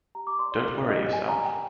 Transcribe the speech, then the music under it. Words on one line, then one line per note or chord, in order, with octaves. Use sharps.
Don’t worry yourself.
G4 A#5
D6
D5 C6
D5
G4
D5
G4 D#5
D5 G#5
A#5
A#4
G5